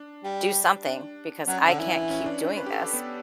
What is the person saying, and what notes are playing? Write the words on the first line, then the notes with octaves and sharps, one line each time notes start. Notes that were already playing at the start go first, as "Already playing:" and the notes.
Do something because I can't keep doing this."
Already playing: D4
G3
D4
F#3 C#4
D3
E3
C#4
D4
B4
G4
A4
B3